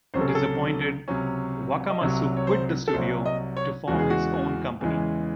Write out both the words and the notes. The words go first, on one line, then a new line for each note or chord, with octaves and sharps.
Disappointed, Wakamatsu quit the studio to form his own company.
C#2 C3 F#3 C#4 C5
A4
G#4
A4
C#2 C3 F#3 C#4
D#5
C2 C3 F#3 C#5
C#5
C5
A4
C2 C3 F#3 C5
D#5
C#5
E2 C#3 E3 G#3 F#4
G#4
F#4
E2 C#3 E3 G#3